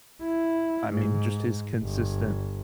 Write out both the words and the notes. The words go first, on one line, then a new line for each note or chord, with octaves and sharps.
I mean, just his consistent
E4
G#2
G1